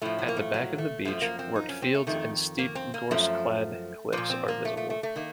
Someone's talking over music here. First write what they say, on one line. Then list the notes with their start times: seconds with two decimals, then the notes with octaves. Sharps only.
At the back of the beach, worked fields and steep gorse-clad cliffs are visible.
0.02 A2 F3 A3
0.18 F#3
0.28 A#3
0.37 A3
0.54 F#3
0.78 A3
1.05 F#2 F3 A3
1.22 A#3
1.39 C4
1.55 D#4
1.69 C#4
1.82 C4
1.94 A3
2.07 F2 D#3 A3
2.58 A#3
2.75 C4
2.94 A#3
3.11 F#2 F3 A3
4.13 A#2 F3 A#3
4.30 C4
4.48 A#3
4.65 A3
4.77 A3
4.90 A3
5.03 A3
5.16 D#3 A#3